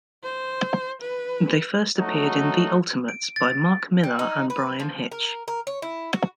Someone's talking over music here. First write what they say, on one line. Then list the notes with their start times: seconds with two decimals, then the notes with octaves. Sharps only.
They first appeared in "The Ultimates" by Mark Millar and Bryan Hitch.
0.23 C5
1.01 B4
1.97 F#3 A3 D#4 F#4
3.09 D7
3.36 A6
4.03 G3
4.19 D#4
4.50 B4
4.80 F3
5.11 A#4
5.48 A#4
5.67 C#5
5.82 E4
6.13 F#4